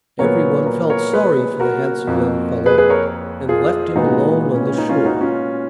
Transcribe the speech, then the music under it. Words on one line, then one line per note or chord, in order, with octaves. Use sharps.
Everyone felt sorry for the handsome young fellow and left him alone on the shore.
A#2 F#3 B3 A#4 C#5
A#4 C#5
A#4 C#5
G#4 B4
F#4 A#4
F2 F3 A#3
G#4 B4
G#4 B4
A#4 C#5
F4 G#4
A#2 G#3 B3 D#4 F#4
C#4
C#4
D#4
C#4 F4
D#4 F#4
C#4 F4